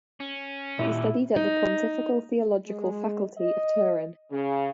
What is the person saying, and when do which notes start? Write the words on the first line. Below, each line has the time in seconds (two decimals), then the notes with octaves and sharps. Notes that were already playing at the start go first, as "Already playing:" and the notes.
He studied at the Pontifical Theological Faculty of Turin.
0.20 C#4
0.79 A#2 E4 G4
1.36 D#4
2.67 G#3
3.37 D#5
4.31 C#3